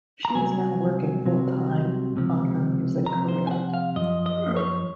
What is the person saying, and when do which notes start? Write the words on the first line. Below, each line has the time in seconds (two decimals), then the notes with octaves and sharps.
She is now working full-time on her music career.
0.25 A#5
0.35 C2 C3 F#3 G#5
1.26 C2 C3 F#3
2.16 C#2 C3 F3
3.06 C#2 C3 F3 A#5
3.28 C5
3.47 G#5
3.51 F#5
3.74 F5
3.96 F#2 F3 D#5
4.26 D#5
4.56 C#5